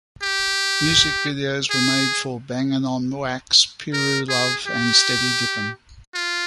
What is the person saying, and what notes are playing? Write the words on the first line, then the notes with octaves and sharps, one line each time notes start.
Music videos were made for "Bangin' on Wax", "Piru Love" and "Steady Dippin"'.
G4
G#4
A#4
G#4
G4
F4